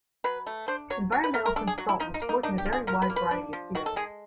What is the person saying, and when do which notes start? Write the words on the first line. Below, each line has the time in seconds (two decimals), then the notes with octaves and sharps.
Environmental consultants work in a very wide variety of fields.
0.24 F#3 B4
0.47 A3
0.68 D4 C5
0.90 F#3 C#5
1.12 F#3 C#5
1.24 B4
1.34 A3 A#4
1.45 A#4
1.56 D4 A4
1.67 G#4
1.78 F#3 F#4
1.89 E4
2.00 F3 D#4
2.14 D#4
2.22 A#3
2.29 D#4
2.43 D4 D#4
2.58 G4
2.66 F3
2.73 G#4
2.87 F3 A#4
3.02 B4
3.10 A#3
3.16 B4
3.31 D4
3.53 F3
3.75 D#3 F#4
3.86 A4
3.96 G#3 G#4